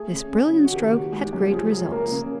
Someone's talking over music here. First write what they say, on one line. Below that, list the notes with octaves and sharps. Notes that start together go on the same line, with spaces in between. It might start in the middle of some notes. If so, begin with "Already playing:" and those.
This brilliant stroke had great results.
Already playing: A3 G#4
C#3
C#3
F#3
F#4
D#3 G4
F#1 F#4
G#3 G4
F#2
F3 G#4
C#2
A#3
C#3